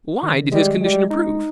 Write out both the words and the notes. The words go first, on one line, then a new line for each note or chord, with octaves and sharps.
Why did his condition improve?
D#3
G3 G#3
G3 G#3
D#4